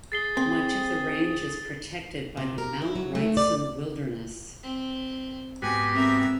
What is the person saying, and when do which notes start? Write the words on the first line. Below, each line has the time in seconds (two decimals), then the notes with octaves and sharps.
Much of the range is protected by the Mount Wrightson Wilderness.
0.12 G#4 A6 C7 G7
0.37 C4
2.37 C3
2.58 A#4
2.82 E4
2.96 F#3
3.15 A3
3.37 D5
4.63 C4
5.62 G#2 B3 F#4 G4 G#5
5.93 C4 A#4 E5